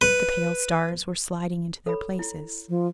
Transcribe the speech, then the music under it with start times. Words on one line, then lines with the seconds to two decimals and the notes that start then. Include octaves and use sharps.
The pale stars were sliding into their places.
0.01 B4
1.86 A4 C#5 B5
2.19 E4
2.69 F3